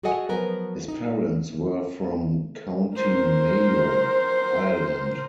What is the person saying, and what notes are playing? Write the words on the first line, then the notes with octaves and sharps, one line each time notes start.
His parents were from County Mayo, Ireland.
F#4 G#4 A4 D#5 F#5 G#5
F3 F#3 B3 A#4 B4
D#4
A#4 C5